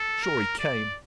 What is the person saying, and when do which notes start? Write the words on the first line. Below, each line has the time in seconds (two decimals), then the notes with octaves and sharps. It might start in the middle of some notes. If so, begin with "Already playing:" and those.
Shorey came.
Already playing: A4
0.23 A#4
0.59 D5